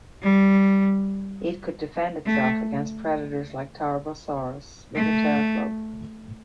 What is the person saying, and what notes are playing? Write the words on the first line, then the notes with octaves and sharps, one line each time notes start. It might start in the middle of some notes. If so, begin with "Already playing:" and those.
It could defend itself against predators like "Tarbosaurus" with a tail-club.
G3
A3
A3